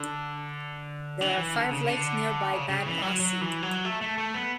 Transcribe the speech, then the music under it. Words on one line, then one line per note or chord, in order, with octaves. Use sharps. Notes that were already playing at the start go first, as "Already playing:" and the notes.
There are five lakes nearby Bad Aussee.
Already playing: D3
E3
E3
D3
C#3
D3
C#3
C#3
E3
F#3
F#3
E3
F#3
A3
A3
A3
B3